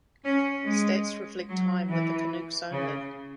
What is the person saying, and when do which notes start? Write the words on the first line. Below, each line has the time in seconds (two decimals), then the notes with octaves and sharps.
Stats reflect time with the Canucks only.
0.24 C#4
0.65 G#3
1.48 F#3
1.89 E3
2.71 C#3